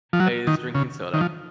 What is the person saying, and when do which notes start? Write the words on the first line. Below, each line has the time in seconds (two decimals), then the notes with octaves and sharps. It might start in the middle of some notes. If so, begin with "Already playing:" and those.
is drinking soda.
0.13 F3
0.20 F#3
0.47 D#3
0.75 C#3
1.14 D#3
1.21 F3